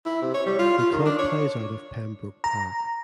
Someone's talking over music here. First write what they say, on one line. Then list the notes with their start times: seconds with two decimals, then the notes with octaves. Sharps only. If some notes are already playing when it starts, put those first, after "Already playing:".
The club plays out of Pembroke Park.
0.06 E4
0.22 C3
0.34 C#5
0.46 G3
0.59 F4
0.79 F4
0.92 D#3
1.06 D4
1.19 C#5
2.44 A#5